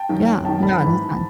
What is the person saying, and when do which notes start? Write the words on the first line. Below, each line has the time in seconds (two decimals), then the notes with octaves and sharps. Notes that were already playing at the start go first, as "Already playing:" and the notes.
Yeah, no, that's fine.
Already playing: G5 A5
0.09 F#2 D#3
0.45 F#2 D#3 G5 A5
0.63 A5 B5
0.80 G#2 E3